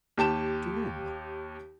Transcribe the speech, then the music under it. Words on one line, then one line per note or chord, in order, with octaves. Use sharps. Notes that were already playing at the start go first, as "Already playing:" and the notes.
"To whom?"
D#2 G4 A5 E7